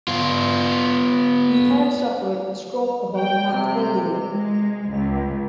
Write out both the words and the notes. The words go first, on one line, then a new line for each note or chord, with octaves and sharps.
He had suffered a stroke about a month earlier.
B3 F4
G5
C3
G#3
C#2